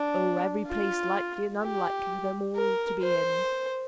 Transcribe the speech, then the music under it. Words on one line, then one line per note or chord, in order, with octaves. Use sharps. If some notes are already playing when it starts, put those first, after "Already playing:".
"Oh, every place likely and unlikely for them all to be in."
Already playing: D4
F4
G4
A#4
C5